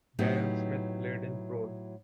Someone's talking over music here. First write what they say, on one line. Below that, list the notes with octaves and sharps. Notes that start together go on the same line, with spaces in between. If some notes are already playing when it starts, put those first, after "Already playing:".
Darren Smith played in the Proles.
A2 F#3 B3 D#4 G4